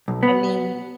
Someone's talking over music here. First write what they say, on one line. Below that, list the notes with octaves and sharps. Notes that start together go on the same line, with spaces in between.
I mean
B1
B3